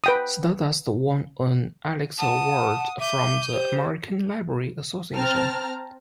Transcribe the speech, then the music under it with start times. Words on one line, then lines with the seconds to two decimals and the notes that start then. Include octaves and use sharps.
"Stardust" won an Alex Award from the American Library Association.
0.04 B4 G5 D#6
2.18 F#5 A5 D#6
2.99 E5 D6 G6 D#7
3.52 G4 C5
5.14 C4 A5 A#5 F6